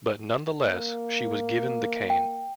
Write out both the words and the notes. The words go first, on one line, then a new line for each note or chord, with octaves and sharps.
But nonetheless, she was given the cane.
A#3
G5